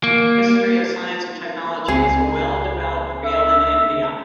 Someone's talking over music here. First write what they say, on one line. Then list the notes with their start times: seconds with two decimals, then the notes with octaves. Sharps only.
History of science and technology is a well developed field in India.
0.04 A#3
1.88 C#2 C4 G#4 C7
3.25 E5